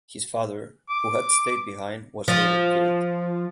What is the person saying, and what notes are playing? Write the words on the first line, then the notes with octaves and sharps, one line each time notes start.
His father who had stayed behind was later killed.
D6
F3